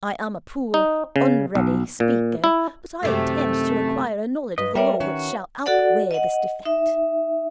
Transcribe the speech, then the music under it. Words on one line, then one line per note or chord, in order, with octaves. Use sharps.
I am a poor, unready speaker, but I intend to acquire a knowledge of the Law which shall outweigh this defect.
D#4
C#3
B1
A#2
E4
F#2 C3 D#3 A3
G2 B4 D#5
G3 A#4 C#5 D5 E5 G5
D#3 C#4 F#4
F#4 A4 D5 F#5
D#5 F#5
D#4 E5